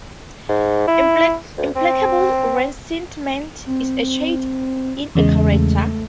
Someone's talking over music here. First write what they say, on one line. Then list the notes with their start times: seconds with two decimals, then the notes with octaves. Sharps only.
Implacable resentment is a shade in a character.
0.49 G#2
0.87 E4
1.57 D2
1.76 C4
3.66 C4
5.15 E2 C#3 G#3
5.49 A3